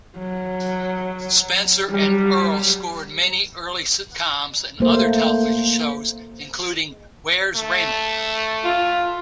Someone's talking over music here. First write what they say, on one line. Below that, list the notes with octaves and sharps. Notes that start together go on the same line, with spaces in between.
Spencer and Earle scored many early sitcoms and other television shows, including Where's Raymond?
F#3
F#3 G3
A3 A#3 C5
A3
F4